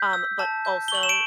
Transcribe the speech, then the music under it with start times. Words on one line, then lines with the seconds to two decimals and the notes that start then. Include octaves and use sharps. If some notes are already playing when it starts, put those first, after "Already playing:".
Um, but also
Already playing: G6 B6
0.13 E6
0.39 A5
0.65 G6
0.88 G7
0.92 C#6 F#7
1.03 E7
1.09 D7